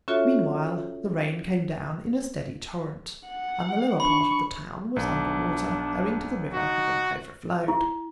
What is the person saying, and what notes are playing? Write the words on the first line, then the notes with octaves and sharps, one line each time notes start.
Meanwhile, the rain came down in a steady torrent, and the lower part of the town was under water, owing to the river having overflowed.
C#4 F4 F#4 A4 C#5 E5
F#5
D4 B5 C#6
B1 D4
D#4 F#4
E4